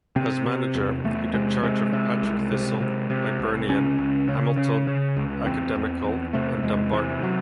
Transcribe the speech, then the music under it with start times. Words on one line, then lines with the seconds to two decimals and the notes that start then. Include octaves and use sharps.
As manager, he took charge of Partick Thistle, Hibernian, Hamilton Academical and Dumbarton.
0.16 C3 C4
0.45 C3
0.75 E2
1.04 E2 A3
1.34 C3 G#3
1.63 C3 G#3
1.93 C3
2.22 C2
2.51 C3
2.81 C3
3.10 C3
3.39 C2
3.68 C#2 C#4
3.98 C#2
4.28 C#3
4.57 C#3
4.87 C#3
5.16 C#2
5.46 E2 C4
5.76 E2
6.05 E2
6.33 C3 A3
6.63 E2 G#3
6.92 C3 E3
7.23 F#3